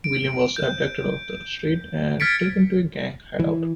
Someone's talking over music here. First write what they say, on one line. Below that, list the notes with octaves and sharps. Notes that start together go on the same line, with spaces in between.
William was abducted off the street and taken to a gang hideout.
D7
G6
F6 G#6 A6 B6 C#7 D7
E3